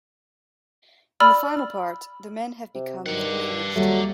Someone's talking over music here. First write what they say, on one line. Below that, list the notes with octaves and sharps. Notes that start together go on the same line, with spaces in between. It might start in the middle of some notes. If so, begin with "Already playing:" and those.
In the final part, the men have become middle-aged.
D5 B5 E6 F6
C3
G2 D#3 D5 F#5
D#2 F#3 G3 A3